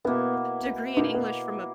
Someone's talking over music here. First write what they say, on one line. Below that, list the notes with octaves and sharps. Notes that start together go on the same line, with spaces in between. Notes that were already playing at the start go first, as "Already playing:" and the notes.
degree in English from a p
B2 A#3 B3 E4
B2 A#3 D#4 E4
B3